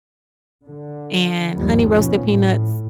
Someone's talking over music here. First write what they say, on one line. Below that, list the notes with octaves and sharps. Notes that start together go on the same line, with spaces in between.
and honey roasted peanuts.
D3
G1 D#2 G#2 D#3 F3 G3
B2 F3 C#4
A2